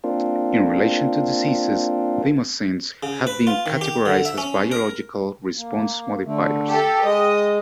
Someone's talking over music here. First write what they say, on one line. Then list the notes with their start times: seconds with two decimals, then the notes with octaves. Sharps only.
In relation to diseases, thymosins have been categorized as biological response modifiers.
0.04 A#3 C4 D4 F4
3.03 C#3
3.27 B4
3.47 F4
3.66 D#3
3.81 G4
4.06 D3
4.25 E5
4.38 C#4
4.72 A#4
5.57 A#3
6.25 D3 A3
6.68 G4 A4
7.04 G#3 D#5